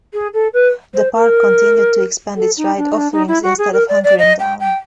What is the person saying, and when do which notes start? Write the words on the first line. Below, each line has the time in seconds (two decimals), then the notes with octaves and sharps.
The park continued to expand its ride offerings instead of hunkering down.
0.13 G#4
0.33 A4
0.53 B4
0.94 C5
1.15 A#4
2.36 A4
2.57 D#4
2.77 D4
2.91 D#4
2.97 D4
3.12 D#4
3.28 E4
3.43 F#4
3.58 G#4
3.73 A#4
3.88 D5
4.04 D5
4.19 D#5
4.40 G5
4.60 G5